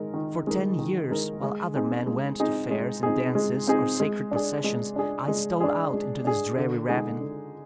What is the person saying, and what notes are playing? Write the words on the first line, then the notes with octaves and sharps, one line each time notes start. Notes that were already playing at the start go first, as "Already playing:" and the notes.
For ten years, while other men went to fairs and dances or sacred processions, I stole out into this dreary ravine.
Already playing: D#3 G#3 D#4 A#4
D#3
G#3 D#4 A#4
D#3
G#3 D#4 A#4
G#3
C4 D#4 G#4
G#3
C4 D#4 G#4
G#3
C4 D#4 G#4
G#3
C4 D#4 G#4
G#3
D4 G#4
G#3
D4 G#4
G#3
D4 G#4
G#3
D4 G#4
D3
G#3 D#4 G#4
D3